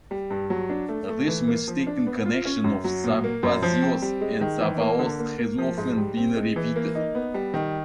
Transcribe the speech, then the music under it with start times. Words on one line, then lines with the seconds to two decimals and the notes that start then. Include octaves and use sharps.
This mistaken connection of Sabazios and Sabaos has often been repeated.
0.11 G3
0.30 G2
0.50 F#3
0.69 D4
0.89 A3
1.09 A3
1.28 E3
1.48 A#3
1.68 F3
1.87 D4
2.07 B3
2.26 F4
2.45 C#4
2.64 F#2
2.84 F#3
3.04 A#2
3.24 A#3
3.43 F#2
3.63 F3
3.82 C4
4.02 G3
4.21 G#3
4.41 D#3
4.61 E3
4.80 A#3
4.99 D3
5.19 A#3
5.38 A#3
5.58 F3
5.78 G#2
5.97 G3
6.17 C4
6.36 G#3
6.56 E3
6.76 A#3
6.95 D#4
7.15 B3
7.34 G3
7.54 D#3